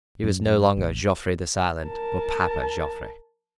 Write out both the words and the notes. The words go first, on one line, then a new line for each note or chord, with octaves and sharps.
He was no longer "Joffre the Silent," but "Papa Joffre."
F#2
F#2
A1
A#4 A5